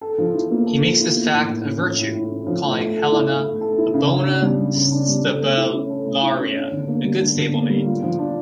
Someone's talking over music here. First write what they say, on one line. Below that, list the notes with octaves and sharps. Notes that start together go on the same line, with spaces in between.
He makes this fact a virtue, calling Helena a "bona stabularia", a "good stable-maid".
A4
F3
E4
A#3
A4
F3
E4
A#3
A2
A2
C#4
F3
A2
A2
C#4
F3
A3
A3
A4
E4
A3
A3
A4
E4
C#3
C#3
D4
G3
C#3
C#3
D4
G3
A4
A3
E4
C#4
A4
A3
E4
C#4
D4
D3
A#3
G3
D4
D3
A#3
G3
F4
F3
D4